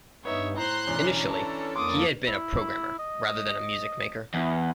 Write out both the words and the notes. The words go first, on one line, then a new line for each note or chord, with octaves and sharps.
Initially, he had been a programmer, rather than a music maker.
G2 B3 D#4 C#5 E5
A2 C5 A#5 C6 F#6
B1 E2 E3 C#4 D4 A#5
A4 A5
F2 A#3 A4 C6 D6 D#6
E4
D#5
E2